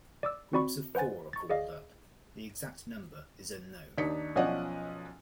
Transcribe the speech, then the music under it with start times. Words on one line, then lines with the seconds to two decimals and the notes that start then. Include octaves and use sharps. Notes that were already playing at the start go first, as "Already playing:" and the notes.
Groups of four are called up; the exact number is unknown.
0.23 D5 D6 E6
0.53 C4 F#4 D5 B5 C#6
0.95 B4 C5 F#5 G#5 A6
1.33 C#6 A6
1.50 G#4 D5 D#5 F5
3.98 D#2 D4 D#4 B6 C#7
4.36 B1 F3 C#4 D5 D#5 F#5